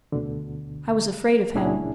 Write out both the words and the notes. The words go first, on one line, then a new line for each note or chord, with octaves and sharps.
I was afraid of him.
D2 B2 D3
C#2 A#2 C#4 D4 E4 G#4